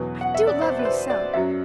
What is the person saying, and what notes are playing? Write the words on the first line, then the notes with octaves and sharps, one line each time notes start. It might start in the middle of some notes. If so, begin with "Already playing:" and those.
I do love you so!
Already playing: E2 B2 F#3 B4
F#5
E5
D5
C5
B4
C5
D5
F#2 F#3 E5